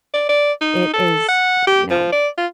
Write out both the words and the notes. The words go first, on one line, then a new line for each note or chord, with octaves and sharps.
it is, you know
D5
D5
D#4
A4
F#5
G4
F3
D5
F4